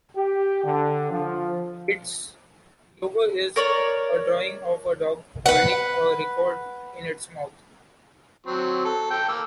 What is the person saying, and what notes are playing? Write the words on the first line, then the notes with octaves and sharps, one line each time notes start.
Its logo is a drawing of a dog holding a record in its mouth.
G4
D3
F3
A#4 C#5 D5
B4 F#5
F#3 C4
A4
A4 G5
A#3 E6